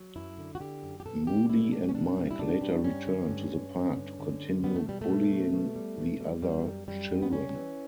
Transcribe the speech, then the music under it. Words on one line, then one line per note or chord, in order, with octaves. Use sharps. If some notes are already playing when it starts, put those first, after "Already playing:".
Moody and Mike later return to the park to continue bullying the other children.
Already playing: F#3
F#2 E4
D3
F#4
D3 G4
F#2
G4
B2 A4
G3 G4
B2 E4
G3 D4
C#4
B2 D4
G3
E4
B2 D4
G3
G2 C#4
D3
G2
G2
D3
G2
D3
G2
G3 B3
A3
B2 G3
A3
B2
B2
B2
G3
B2
G3
F#2 G3
F#2
F#2 G3
F#2
B3
G3 C#4
E3